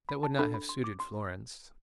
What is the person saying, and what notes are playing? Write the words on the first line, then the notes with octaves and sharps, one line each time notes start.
That would not have suited Florence.
B5
A5
D4 A4 B5
B5
C6
D6
C6